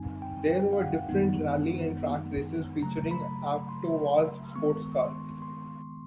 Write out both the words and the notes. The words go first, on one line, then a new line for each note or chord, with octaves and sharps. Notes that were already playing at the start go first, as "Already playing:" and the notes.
There were different rally and track races featuring Avtovaz sports cars.
Already playing: F#2 D3 G3 C4 D#4 G#5
G5
G5
F5
F#5
F#2 D#3 G#3 B3 D#4
C#3 F#3 A3 A#5
B5
C6
D#3 G#3 B3 C#6
C6
C6